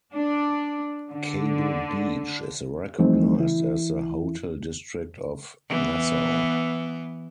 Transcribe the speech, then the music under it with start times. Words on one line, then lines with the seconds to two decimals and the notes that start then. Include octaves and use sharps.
Cable Beach is recognised as the hotel district of Nassau.
0.12 D4
1.12 D3
2.99 E3 F3 G3 A3 C4 D#4
3.39 E3 E4
5.70 E3 B3